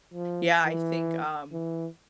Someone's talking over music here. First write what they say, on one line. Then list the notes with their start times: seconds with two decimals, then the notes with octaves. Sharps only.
Yeah, I think, um,
0.14 F3
0.66 E3
1.53 E3